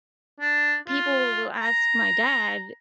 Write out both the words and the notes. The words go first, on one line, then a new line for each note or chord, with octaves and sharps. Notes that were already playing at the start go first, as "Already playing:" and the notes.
people will ask my dad
D4
F4
A#5